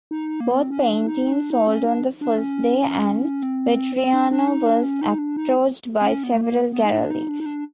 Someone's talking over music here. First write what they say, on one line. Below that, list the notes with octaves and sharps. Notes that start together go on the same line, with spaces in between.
Both paintings sold on the first day and Vettriano was approached by several galleries.
D#4
A#3
B3
C4
C#4
D4
D#4
D4
D#4
C#4
D4
D4
C#4
C4
C4
D4
D4
D#4
D4
C#4
D#4
D4
D#4
C4
C#4
B3
A3
A#3
B3
D#4
D4
D#4
D4
D#4
D4